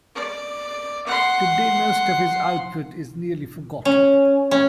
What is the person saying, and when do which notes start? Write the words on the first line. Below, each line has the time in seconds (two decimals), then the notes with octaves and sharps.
Today, most of his output is nearly forgotten.
0.15 D5
1.07 F#5 C6
3.85 C#4
4.51 C#4